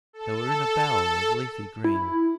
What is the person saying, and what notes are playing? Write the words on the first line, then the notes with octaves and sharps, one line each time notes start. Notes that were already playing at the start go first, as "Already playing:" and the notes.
They were in a bower of leafy green.
A4
E4